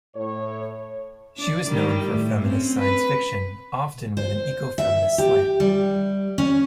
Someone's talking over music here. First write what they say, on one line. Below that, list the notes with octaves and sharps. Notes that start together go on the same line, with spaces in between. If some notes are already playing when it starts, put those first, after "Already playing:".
She was known for feminist science fiction, often with an ecofeminist slant.
A2 C#5
D4 D5
D#3 G3
A2
C4 C#4
B4
C5
E5
G4
G3
C#4